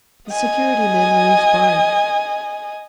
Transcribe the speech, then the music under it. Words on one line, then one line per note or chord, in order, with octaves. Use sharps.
The security men released Barney.
D#5 G#5